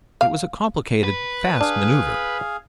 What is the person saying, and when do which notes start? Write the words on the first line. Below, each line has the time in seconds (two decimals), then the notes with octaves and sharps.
It was a complicated, fast maneuver.
0.21 F5
1.04 B4
1.61 D4 G#4 F5